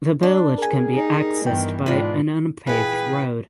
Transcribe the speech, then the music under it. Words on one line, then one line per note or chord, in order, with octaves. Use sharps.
The village can be accessed by an unpaved road.
D4
G3 A#3 G#4 A#4 G#5
D#4
G2 D#3 E3 B3 G5
G#2 B2 E3 D4 F4 B4
A#2 E3 G#4 B4 G5